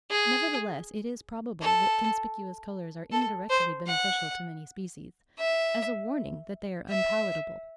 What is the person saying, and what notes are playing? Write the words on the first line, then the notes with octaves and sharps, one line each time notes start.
Nevertheless, it is probable that conspicuous colours are indirectly beneficial to many species, as a warning that they are unpalatable.
G#4
A4
A4
C5
F#5
E5
E5